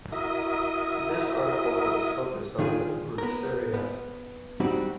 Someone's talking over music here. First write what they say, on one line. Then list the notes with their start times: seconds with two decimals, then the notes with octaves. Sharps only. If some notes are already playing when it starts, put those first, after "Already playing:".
This article is focused on bruixeria.
0.12 E4 F#4 A#4 D#5 E5 D#6
2.59 D#3 D4 F4 G#4
3.18 B3 A#4
3.74 B3
4.60 G3 C4 D4 D#4 F#4